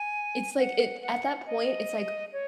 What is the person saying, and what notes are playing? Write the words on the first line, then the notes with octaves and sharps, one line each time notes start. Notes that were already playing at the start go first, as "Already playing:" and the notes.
it's like it At that point, it's like,
Already playing: G#5
F#5
F#5
D#5
C#5